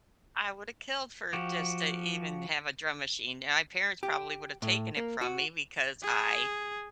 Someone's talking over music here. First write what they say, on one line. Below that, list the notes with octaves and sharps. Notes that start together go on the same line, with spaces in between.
I woulda killed for just to even have a drum machine, and my parents probably would have taken it from me because I
F3 F#4 G4
G4
A2
A#3
F#4
G#4